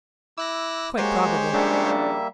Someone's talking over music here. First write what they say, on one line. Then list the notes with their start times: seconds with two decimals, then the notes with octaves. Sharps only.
"Quite probable."
0.38 E4 D6 E6 F#6 A#6
0.97 G#3 A#3 F#4 G4 C5 C#5
1.54 C#3 F3 G3 A#3 D4 E5